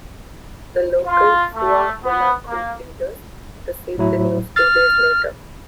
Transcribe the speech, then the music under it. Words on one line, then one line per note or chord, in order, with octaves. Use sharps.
The local Fua Mulaku leaders received the news two days later.
F4
A3
B3
A#3
A2 F#3 E4
F6 A6